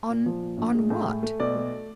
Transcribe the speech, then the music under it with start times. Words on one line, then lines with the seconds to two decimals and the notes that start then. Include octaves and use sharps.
"On--on what?"
0.10 A#2
0.26 F3
0.43 A#2
0.58 A#1
0.74 G#3
0.90 A2 G#5
1.07 A3
1.23 A3
1.40 B1 D5
1.56 A3